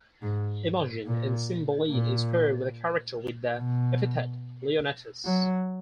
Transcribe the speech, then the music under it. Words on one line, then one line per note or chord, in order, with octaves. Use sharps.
Imogen in "Cymbeline" is paired with a character with the epithet "Leonatus".
G#2
A#2
A#2
B2
F#3